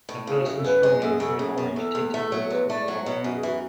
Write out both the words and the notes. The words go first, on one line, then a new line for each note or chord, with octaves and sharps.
A person strolling through an orange tinted woods with a dog.
A2
C#3 G#4
F#4
F#2 G#4
A4
F#2 B4
G#3
F#2 A4
G#4
C#3 A4
F#2 G#4
F#2
E2 A4
E2
A3 A4
F#3
A4
E2 B4
A3 D5
F#3 C#5
B2 C#5
F#2 F#4
G#4
E3 F#4